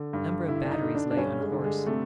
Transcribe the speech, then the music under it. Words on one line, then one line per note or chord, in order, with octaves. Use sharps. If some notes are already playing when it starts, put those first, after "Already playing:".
A number of batteries lay unhorsed.
Already playing: D3
G2
D3 E4
D4
D#4
D3
D4
D4
G2 C#4
G#3
D3
G#3
C3 A3